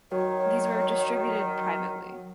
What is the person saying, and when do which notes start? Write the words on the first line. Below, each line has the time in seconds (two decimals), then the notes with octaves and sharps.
These were distributed privately.
0.12 D#3 F#3 C#5